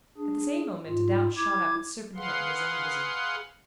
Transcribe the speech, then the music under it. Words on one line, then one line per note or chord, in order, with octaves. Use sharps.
At the same moment a doubt shot up its serpent-head in his own bosom.
D4 G#4
G#2 F4
E4 D6 G#6
G#4 B4 F5 F#5 C6